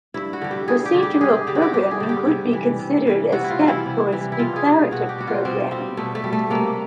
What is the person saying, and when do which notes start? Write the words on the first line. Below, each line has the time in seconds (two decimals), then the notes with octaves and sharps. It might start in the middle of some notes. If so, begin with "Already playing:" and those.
Procedural programming could be considered a step towards declarative programming.
0.14 G2 E4
0.33 F#4
0.41 D3 G3
0.51 G4
0.68 G2 G#4
0.85 G4
0.94 D3 G3
1.03 G4
1.21 G2 G#4
1.47 D3 G3 G4
1.55 F#4
1.62 G4
1.73 G2 G4
1.91 G#4
2.00 D3 G3
2.09 G4
2.27 C3
2.53 E3 G3
2.79 C3
3.07 E3 G3
3.32 C3 F#4
3.44 E4
3.50 F4
3.59 E3 G3
3.68 E4
3.86 C3
4.12 E3 G3
4.32 E4
4.38 B2 F4
4.56 G#4
4.66 G3
4.91 B2 F#4
5.09 G4
5.18 G3 F#4
5.27 F4
5.45 B2 C4
5.71 G3 C4
5.97 B2 A3
6.15 A3
6.24 G3
6.33 A3
6.50 C3 A#3